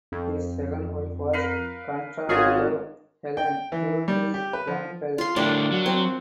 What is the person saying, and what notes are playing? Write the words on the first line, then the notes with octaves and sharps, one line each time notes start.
His second wife was contralto Helen Dudley Campbell.
F2
A#4 B4 F5
G#1 C#4 F4 F#4 G#4 A4
G5
E3
G3
G4
B4
F3
F4 C6
A2 D3 G3 D4 A#4
F#3
C4